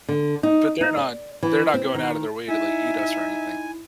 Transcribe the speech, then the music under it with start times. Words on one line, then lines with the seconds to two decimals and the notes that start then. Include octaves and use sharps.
but they're not they're not going out of their way to, like, eat us or anything.
0.09 D3
0.43 D#4
0.81 D#4
0.97 D5
1.43 E3
1.74 C4
1.94 D#3
2.49 D#4 E4 E5 G#5